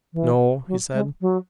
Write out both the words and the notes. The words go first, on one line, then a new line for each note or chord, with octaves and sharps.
"No," he said.
E3
F#3
G#3
F#3